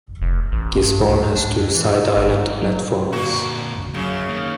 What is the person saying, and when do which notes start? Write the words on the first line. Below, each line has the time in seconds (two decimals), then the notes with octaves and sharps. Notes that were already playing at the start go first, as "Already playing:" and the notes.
Gisborne has two side island platforms.
0.22 F1
0.52 A1
0.83 G2
1.08 C#2
1.35 D4
1.56 F2
1.74 E3
1.94 G#2
2.17 G#1
2.34 G#2
2.61 F#3
3.13 A#2 D3 A#3 F#4
3.94 F#2 C#3
4.29 D#3 A#3